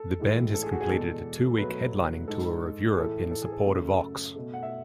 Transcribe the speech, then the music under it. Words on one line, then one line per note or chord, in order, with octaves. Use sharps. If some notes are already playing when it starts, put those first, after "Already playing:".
The band has completed a two-week headlining tour of Europe in support of "Ox".
Already playing: A4
A2 E3 G#3
A4
G#4
F#4
G#4
E2 B2 G#3 A4
B2 F#3 A3 B4
G#2 G#3 A4
G#4
A2 E3 A3 A4
A4
G#4
A4
F#2 C#3 F#3 A3
B2 A3
F#5
E5